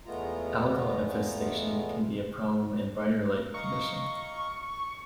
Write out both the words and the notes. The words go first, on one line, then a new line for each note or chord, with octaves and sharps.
Algal infestation can be a problem in brighter lighting condition.
E2 G#3 A3 B3 F4 A#5
D#5 F5 A#5 C#6